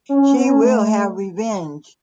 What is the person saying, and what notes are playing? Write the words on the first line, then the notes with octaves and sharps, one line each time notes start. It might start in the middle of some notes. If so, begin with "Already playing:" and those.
She will have revenge.
C#4
C#4
B3
C#4
A3